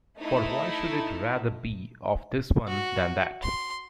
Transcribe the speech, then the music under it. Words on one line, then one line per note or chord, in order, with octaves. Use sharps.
For why should it rather be of this one than that?
A3 D#4 E4
F#4
C6